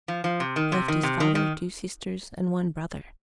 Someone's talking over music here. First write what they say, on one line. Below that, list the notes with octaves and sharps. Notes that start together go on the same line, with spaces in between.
Left his father, two sisters and one brother.
F3
F3
C3
D#3
C3
D#3
C3
D#3
D#3